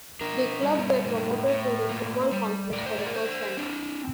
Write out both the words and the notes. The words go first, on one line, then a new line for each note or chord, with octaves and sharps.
The club were promoted to the Football Conference for the first time.
D4 A#4
G3
A2
A2
A#3
G3
A2 D5
C5
D5
A#4
D4 C5
C4 D4